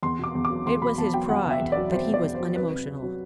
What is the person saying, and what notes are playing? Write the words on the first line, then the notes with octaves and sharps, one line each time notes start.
It was his pride that he was unemotional.
E2 C6
B2 D6
E2
D6
F#3
E2 C6
B2 B5
E2 A5
F#3 G5
E2 F#5
B2
E5
E2
F#3 D5
E2 C5
B2
D5
E2
C5
F#3
C2 B4
C3
C2
F#3